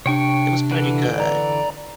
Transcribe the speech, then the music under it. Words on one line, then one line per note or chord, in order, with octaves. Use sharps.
It was pretty good.
C3 D4 C#5 G5 C#6
D3 E3 B4
D5 A#5